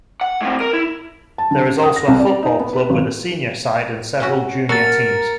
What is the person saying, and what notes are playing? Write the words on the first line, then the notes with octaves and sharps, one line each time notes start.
There is also a football club with a senior side and several junior teams.
F#5
A2 C4
A#4
E4
A5
D3
C#3
D#6
A#6
C2
D5
D#4
B3
B4
G#1
A2 C#4 F#4
A3 F#4 A#4 F5 A6 C#7